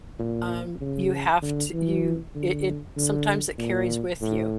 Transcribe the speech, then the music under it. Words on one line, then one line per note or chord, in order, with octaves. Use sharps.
um, you have t you it it sometimes it carries with you.
A#2
C#3
D3
E3
D3
D3
A#2
A2